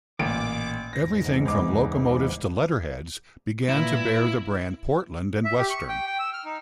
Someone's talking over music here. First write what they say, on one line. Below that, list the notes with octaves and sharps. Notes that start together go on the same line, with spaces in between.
Everything from locomotives to letterheads began to bear the brand Portland and Western.
A1 A#2 D6 D7
E2 G#2 A#6
C#2 G#3 D6
A#2 E4 B4 A#6
E5
G4
C#6
G5
G5
E6
F6
D#4